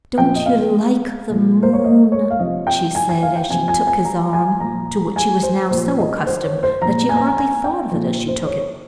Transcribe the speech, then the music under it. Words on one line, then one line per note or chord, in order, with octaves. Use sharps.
"Don't you like the moon?" she said, as she took his arm, to which she was now so accustomed that she hardly thought of it as she took it.
A#2 F3 G5
D#5
F5
A#2 F3
C5
C#5
D#5
C#5
F5
C3 F3 D#5
G5
G#5
G#5
F5
G5
C3 F3 G#5
G#5
G#5
A#5
G#5
A#2 F3 A#5
G#5
C5
A#2 F3 C5
D#5
C5
C#5
C5
A#2 F3 A#5
G#5
A#5
G#5
G#5
G5
A#2 F3
C5
C#5